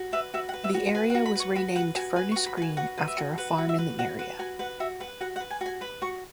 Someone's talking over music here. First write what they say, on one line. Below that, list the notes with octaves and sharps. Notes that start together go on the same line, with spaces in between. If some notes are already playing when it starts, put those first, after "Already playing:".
The area was renamed "Furnace Green" after a farm in the area.
Already playing: F#4
B4 E5
F#4 E5
F#5
B4
E5
F#4
B4 G#5
F#5
F#4
B5
B4 C#6
F#4 B5
B4 F#5
F#4 G#5
B4 G#5
C#6
F#4
B5
B4 G#5
F#4 F#5
B4
E5
F#4
B4 F#5
F#4
E5
B4
F#4 F#5
B4 F#5
F#4 G#5
B4 F#5
F#4 E5
B4 F#5
F#4 F#5
F#5
B4
G#5
F#4 G#5
B4 B5
F#4 C#6